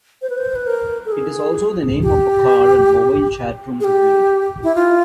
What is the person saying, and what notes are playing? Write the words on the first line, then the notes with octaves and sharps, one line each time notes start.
It is also the name of a car and mobile chatroom community.
C5
B4
C5
B4
A#4
A4
G#4
G4
G#4
G4
E4
F4